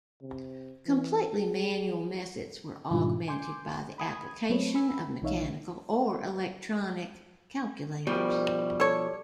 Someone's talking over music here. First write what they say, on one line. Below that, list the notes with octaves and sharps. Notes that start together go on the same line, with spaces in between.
Completely manual methods were augmented by the application of mechanical or electronic calculators.
C3
E3
G#4
G#2 B2 D#3 G3 D4 F4
G#5 C6 D6 G6
B5 D#6 G#6
F#3 A3 C4 A4 B4 C#5
B5 E6
B1 E3 D#4 C#5 E5 F5
B2 F3 G3
A4 C#5